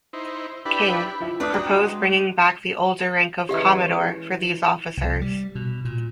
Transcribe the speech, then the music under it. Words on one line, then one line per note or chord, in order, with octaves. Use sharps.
King, proposed bringing back the older rank of "commodore" for these officers.
D#4 E4 C5
D4 E4 G4 B4 B5
F3 E4
A3 D4 B4 D6 D#6
F#4 G5 A#5 F#6
G#3
E3 G#3 C#4 G4 F5
C2
G3
B2
A#2